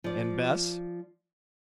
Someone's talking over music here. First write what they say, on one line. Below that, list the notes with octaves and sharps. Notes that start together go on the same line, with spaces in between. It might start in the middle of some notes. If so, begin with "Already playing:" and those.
And Bess?
F3 D5